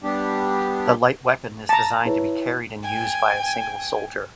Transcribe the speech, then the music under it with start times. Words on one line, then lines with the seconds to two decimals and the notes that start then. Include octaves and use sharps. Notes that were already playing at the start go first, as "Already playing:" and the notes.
The light weapon is designed to be carried and used by a single soldier.
0.03 G3 B3 D4 G4
1.69 A5 A#5
2.05 E4 B4 C#5
2.83 G5 G#5